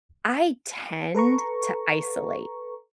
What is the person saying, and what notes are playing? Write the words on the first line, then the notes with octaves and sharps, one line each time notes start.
I tend to isolate
A4 B4 A#5 C#6